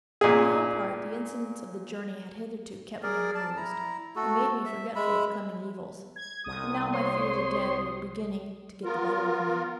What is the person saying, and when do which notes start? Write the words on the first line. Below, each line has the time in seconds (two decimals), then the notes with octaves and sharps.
For my own part the incidents of the journey had hitherto kept me amused, and made me forgetful of coming evils; but now my fears again were beginning to get the better of me.
0.21 A#2 G#4
3.03 G#4 A#4 D5
3.34 D5 A5
3.57 E4 A#5
4.16 A3 F#4 A4
4.66 E5
4.96 G#3 E5 B5
6.16 G#6
6.44 C2 D#6
6.94 C5 C#5 C6
8.84 B3 F4 A#4